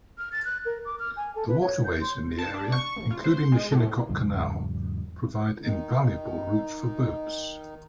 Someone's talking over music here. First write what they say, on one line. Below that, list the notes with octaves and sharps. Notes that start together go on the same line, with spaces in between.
The waterways in the area, including the Shinnecock Canal, provide invaluable routes for boats.
F6
A6
F#6
A#4
D6
F6
G#5
A4
B4
C#5
G6
C6
A5
D4
C#6
A#1
F4
C5
C6
G#3
A2
E2 G#2 C#3 F#3
D#3 D#4